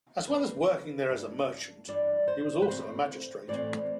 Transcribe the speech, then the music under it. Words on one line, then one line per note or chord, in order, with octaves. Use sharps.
As well as working there as a merchant, he was also a magistrate.
C3 G3 C4 B4
G2 E3 G3 D4
G2 E3 G3 D4 D5
C5
B4
A2 E3 A3 C4 C5
A2 E3 A3 C4 D5